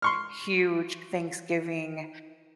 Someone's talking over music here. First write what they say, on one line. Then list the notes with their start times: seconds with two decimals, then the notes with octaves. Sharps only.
huge Thanksgiving,
0.02 C6 C#6 F6